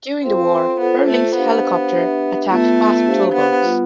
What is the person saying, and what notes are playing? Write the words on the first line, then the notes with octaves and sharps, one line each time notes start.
During the war, her Lynx helicopter attacked fast patrol boats.
C4 F4 A4 C5 F5
B3 F4 A4 C5
A3
B3 D4 G4 C5 F5
D4 G4 B4 E5
A3 B3 F4 B4
D4 G4 C5 F5
B3
G3 B3 F4